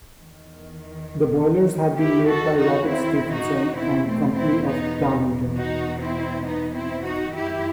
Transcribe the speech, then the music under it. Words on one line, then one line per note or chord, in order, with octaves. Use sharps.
The boilers had been made by Robert Stephenson and Company of Darlington.
E2 D#3
E4 G4
F#4 A4
D#4 F#4
C4 E4
D#4 F#4
E2 B2 C4 E4
A3 C4
C4 E4
B3 D#4
D#4 F#4
C4 E4
B3 D#4
C4 E4
D#4 F#4
F#2 D#3 E4 G4